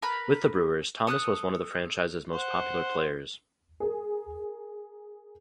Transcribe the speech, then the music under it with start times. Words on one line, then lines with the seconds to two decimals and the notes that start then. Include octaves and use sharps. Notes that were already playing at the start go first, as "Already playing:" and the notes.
With the Brewers, Thomas was one of the franchise's most popular players.
0.02 A#4 B4 B5
1.07 A4 D#6 F6 F#6
2.32 C5 F#5
3.80 G#4 A#4